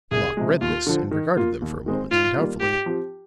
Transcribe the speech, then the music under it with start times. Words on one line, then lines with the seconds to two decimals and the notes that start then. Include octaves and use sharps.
Locke read this and regarded them for a moment, doubtfully.
0.11 C2 G#4
0.37 C3 F3 G#3
0.61 D#2 F4
0.86 D3 F3
1.11 D#3
1.36 A#3 F4
1.61 D#2
1.86 D#3 G#3 C4
2.11 G#2 F4
2.36 D#3 G3 A#3
2.61 G#2 G4
2.86 F3 C4 G4